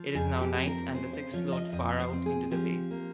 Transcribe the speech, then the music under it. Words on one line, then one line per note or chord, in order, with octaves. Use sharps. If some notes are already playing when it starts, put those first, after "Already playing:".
It is now night and the six float far out into the bay.
Already playing: F3
F2 G#4
G4
C4
A#4
C#3 C5
C5
F3 C#5
D#5
F2 D#5
C5
C4
G#4
F3 G4
A#3